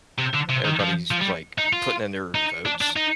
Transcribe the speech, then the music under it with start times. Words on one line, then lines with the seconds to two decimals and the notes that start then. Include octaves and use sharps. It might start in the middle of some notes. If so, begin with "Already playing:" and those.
everybody's, like, putting in their votes.
0.18 C3
0.34 D3
0.49 C3
0.65 D#3
0.80 F3
1.11 F3
1.21 G3
1.58 D#4
1.73 F4
2.35 D#4
2.66 D4
2.81 D4
2.97 D#4